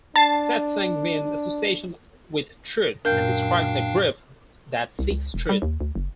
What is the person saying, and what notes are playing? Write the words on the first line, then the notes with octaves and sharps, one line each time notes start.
Satsang means 'association with Truth' and describes a group that seeks truth.
D4 A5 A6 C7
F#2 A#2 D4 A#4 F5 G5 G6
C2
C#2
E1
G3
D#2
D2
F#1